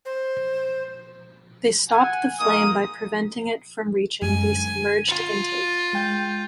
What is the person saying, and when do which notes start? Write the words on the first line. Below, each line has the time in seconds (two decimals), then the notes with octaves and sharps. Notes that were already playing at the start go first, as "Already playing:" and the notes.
They stop the flame by preventing it from reaching the submerged intake.
0.05 C5
1.89 F#5 G#5
2.39 G#3 A#3 D#4 D#6
4.22 F#2 G#3 G#5
4.50 D3
5.08 F4
5.93 G#3 G5 G6